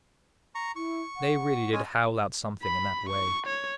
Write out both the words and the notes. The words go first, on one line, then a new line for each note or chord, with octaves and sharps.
They really did howl out something in that way.
A#5 C#6
E4 C#6
F#5
G#3 C#4 G#5
B5
C#6
C#5